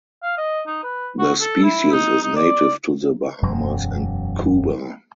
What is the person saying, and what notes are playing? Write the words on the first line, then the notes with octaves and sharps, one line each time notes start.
The species is native to the Bahamas and Cuba.
F5
D#5
D#4
B4
F#4
A4
E4
D#4
D#4
D5
E1 F#2 F#3